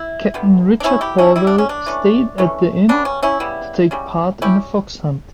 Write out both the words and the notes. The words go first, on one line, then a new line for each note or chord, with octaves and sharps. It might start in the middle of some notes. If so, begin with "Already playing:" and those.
Captain Richard Harwell stayed at the inn to take part in a fox hunt.
Already playing: E4
D3 G3 B3
D4
B2 G3 B3 C#4 E4
E4 G4
C#4 E4
B2 G3 B3 E4
D4
C#4
D4
E3 A3 C#4
E3 A3 C#4
C#3 G3 B3 D4
C#4
C#4 E4
C#3 G3 B3
C#3 G3 C#4
G3 C#4 E4 G4